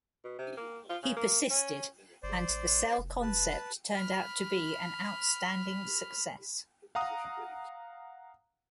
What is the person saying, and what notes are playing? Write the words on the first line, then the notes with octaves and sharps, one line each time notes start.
He persisted, and the cell concept turned out to be an outstanding success.
B2
C3
A#3
F4
C#3
A#3
C#4
G1 C5 D5
A1
F1
B4 A5
B5 F6
F5 F#5 A#5 D#6